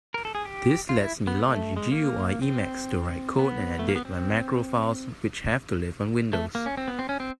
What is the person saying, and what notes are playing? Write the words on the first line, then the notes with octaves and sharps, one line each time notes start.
This lets me launch GUI Emacs to write code and edit my macro files which have to live on Windows.
A#4
A4
G#4
G4
F4
E4
B3
A3
G#3
A#3
C4
B3
A3
A#3
B3
C4
A3
A#3
C#4
C4
B3
C4
C#4
C4